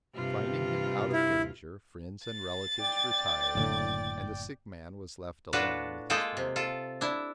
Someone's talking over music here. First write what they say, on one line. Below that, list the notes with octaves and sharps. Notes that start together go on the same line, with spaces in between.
Finding him out of danger, friends and relatives retired, and the sick man was left alone with his family.
G2 C3 F4
E4
A6
D5 G5
F#1 A2 D3
A2 D4 F4 F#4 B4 A5
G#3 A#3 F4 A4 D#5 G5
C3
F4 A4
D4 E4